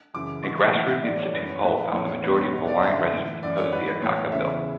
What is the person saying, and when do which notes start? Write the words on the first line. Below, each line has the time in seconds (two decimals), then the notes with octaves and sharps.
A Grassroot Institute poll found the majority of Hawaiian residents opposed the Akaka Bill.
0.14 F#2 C#3 E3 D6
0.44 G#2 E3 C#6
0.74 A2 E3 F#5
0.89 E5
1.03 A2 E3 D5
1.18 C#5
1.33 F#2 E3 B4
1.49 C#5
1.64 A2 E3 B4
1.93 A2 E3 C#5
2.23 E2 B2 B4
2.39 C#5
2.53 E2 B2 C#5
2.68 D5
2.83 F#2 D3 E5
3.13 A2 E3
3.43 F#2 E3 D5
3.57 C#5
3.72 G#2 E3 B4
4.02 A2 E3 C#5
4.32 E2 C#3 E3 E5